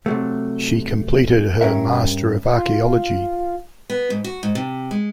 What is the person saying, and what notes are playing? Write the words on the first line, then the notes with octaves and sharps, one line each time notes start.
She completed her M. Arch.
C3 F#3 A3
G2 C#4 A#4 E5
F4
B3
G#2
F#4
G#2
C3
G#3